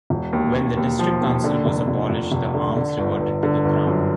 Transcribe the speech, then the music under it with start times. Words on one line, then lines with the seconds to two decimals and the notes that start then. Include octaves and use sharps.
When the district council was abolished the arms reverted to the Crown.
0.10 E1
0.33 D#2
0.55 D#2
0.77 D#2
0.99 F3
1.21 D#2
1.44 D3
1.66 F1
1.88 F1
2.10 F1
2.32 F1
2.54 D3
2.76 D3
2.99 G1
3.21 G1
3.43 D3
3.65 G1
3.87 F#2